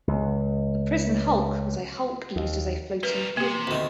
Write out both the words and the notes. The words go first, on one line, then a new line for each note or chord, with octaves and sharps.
A prison hulk was a hulk used as a floating prison.
C#2
D#2
G3 A#4 B4
C3 A#3 G4
D2 D#3